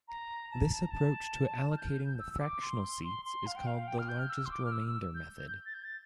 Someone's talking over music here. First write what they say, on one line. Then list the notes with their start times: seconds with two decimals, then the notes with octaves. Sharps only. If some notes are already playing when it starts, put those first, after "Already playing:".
This approach to allocating the fractional seats is called the largest remainder method.
0.08 A#5
0.51 A5
0.72 A5
0.82 A#5
0.91 A5
1.72 F6
1.77 G6
2.19 E6
2.33 E6
2.40 D6
2.62 C6
3.03 C6
3.25 C6
3.46 F5
3.56 G5
3.67 F5
3.88 G5
3.98 F6
4.09 G6
4.19 F6
4.30 E6
4.46 C6
4.51 D6
4.65 F6
4.72 E6
4.87 E6
5.15 G6
5.66 A6
5.74 G6
5.84 A6